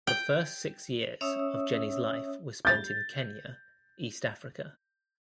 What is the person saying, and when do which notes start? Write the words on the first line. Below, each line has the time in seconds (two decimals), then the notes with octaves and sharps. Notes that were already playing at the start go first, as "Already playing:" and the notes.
The first six years of Jenny's life were spent in Kenya, East Africa.
0.07 G5
1.21 C#4 C#5 E5 D#6 E6
2.65 G6 A6